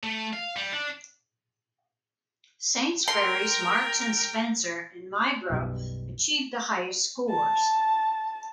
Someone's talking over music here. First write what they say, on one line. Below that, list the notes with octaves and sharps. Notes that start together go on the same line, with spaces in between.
Sainsburys, Marks and Spencer and Migro achieved the highest scores.
A3
F5
G3
D4
A#4 G5 C6
B1 F#2 B2 G3
A5